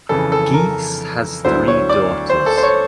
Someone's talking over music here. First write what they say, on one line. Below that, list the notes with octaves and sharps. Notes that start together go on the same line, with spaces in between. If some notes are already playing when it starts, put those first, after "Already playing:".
Geese has three daughters.
F2 C#3 E3 A4
A4
A#4
D2 D3 F#3 B3 E4 C5
C#5
D5
C5
A4
C5
C#5